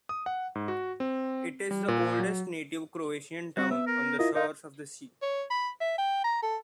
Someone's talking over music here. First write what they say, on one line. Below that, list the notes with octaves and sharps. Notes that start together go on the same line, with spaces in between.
It is the oldest native Croatian town on the shores of the sea.
D#6
F#5
G#2
F#4
C4
G3
A#2
F#3
G3 C4 F#4
B3 E5
A#4
E4 F4 A#4 D#5
D#4 A#4 D#5 F5
C#5
B5
E5
G5
A#5
A4